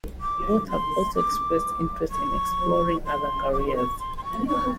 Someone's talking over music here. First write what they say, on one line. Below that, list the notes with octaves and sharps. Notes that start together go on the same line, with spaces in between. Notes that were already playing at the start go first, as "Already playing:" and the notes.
Both have also expressed interest in exploring other careers.
D6
C6
D6
C#6
C6
D6
C#6
C6
C#6
C6
C6
C#6
C#6